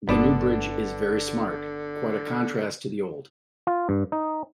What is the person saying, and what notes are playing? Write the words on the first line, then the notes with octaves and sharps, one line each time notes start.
The new bridge is very smart; quite a contrast to the old.
G1 D3 B3 D4 A4
F4
G2
D#4